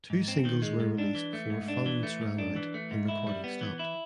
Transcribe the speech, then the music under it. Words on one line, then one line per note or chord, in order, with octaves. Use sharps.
Two singles were released before funds ran out and recording stopped.
G#2
C4
D#3
G#3
G#2
D4
E3
A3
G#2
D4
E3
A3
G#2
D4
E3
A3
G#2
E4
G3
B3
E3
E4